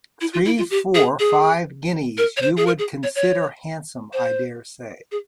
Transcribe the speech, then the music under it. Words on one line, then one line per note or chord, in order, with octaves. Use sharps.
Three, four, five, guineas, you would consider handsome, I dare say.
E4
F4
E4
F4
G4
G#4
G#4
A#4
C#5
C5
G#4
A#4
G#4
C#5
C#5
C5
G#4